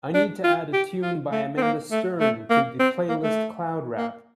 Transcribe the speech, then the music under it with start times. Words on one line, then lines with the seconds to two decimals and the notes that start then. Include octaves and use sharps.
I need to add a tune by Amanda Stern to the playlist cloud rap.
0.14 D4
0.44 F4
0.73 G4
1.03 F4
1.32 A3
1.57 C4
1.62 A#3
1.91 A3
2.20 A3
2.50 A#3
2.80 C4
3.09 A#3
3.23 A3
3.98 A#3